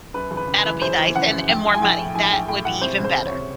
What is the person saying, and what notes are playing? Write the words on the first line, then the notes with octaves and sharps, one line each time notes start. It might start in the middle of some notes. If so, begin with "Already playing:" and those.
that'll be nice and and more money, that would be even better.
F#2 B4
G#1
B4
C#3
B4
E3
F#2 C5
E3
C#3 F#5
F#2
A#1 G5
A#1
G#5
A#1 G5
A2
A#1 G#5
A#1 G5
A2 G5
E3 F#5
C3 C5
C#2
C5
C#2
C#5
C3